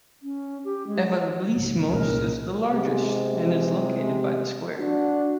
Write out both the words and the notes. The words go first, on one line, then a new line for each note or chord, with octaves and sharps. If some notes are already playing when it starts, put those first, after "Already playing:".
"Evagelismos" is the largest and is located by the square.
C#4
G4
G#3
C#2 G#2
C2 A#2 C#3 G#3 A#4
C3 G#3
D4 F#4